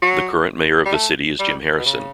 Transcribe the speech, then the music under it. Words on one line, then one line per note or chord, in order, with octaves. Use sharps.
The current mayor of the city is Jim Harrison.
F#3
G3
A3
G3
B2
C#3